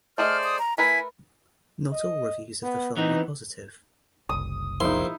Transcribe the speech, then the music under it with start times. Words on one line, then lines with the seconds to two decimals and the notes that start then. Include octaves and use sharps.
Not all reviews of the film were positive.
0.18 A3 G#4 C5 D5 D#5 F6
0.44 D#6
0.59 A#5
0.78 A3 E4 A#4 B4 G#5 B6
1.92 D#5
2.63 B3
2.97 E3 B3 C4 D#4
4.29 F#1 C2 D#6
4.80 A#1 D#4 E4 C6